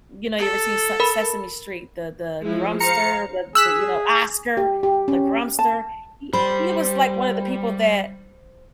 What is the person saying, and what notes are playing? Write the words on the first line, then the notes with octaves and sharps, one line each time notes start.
you know, you ever seen S Sesame Street, the the Grumpster, the the, you know, Oscar, the Grumpster, he he was like one of the people that,
A4
A#4 B5
F3 G#3 E4
C5 F5 A#5 C#7
G#4 E6 F#6 B6
G4
G4
C#4
A5
G3 C5 B5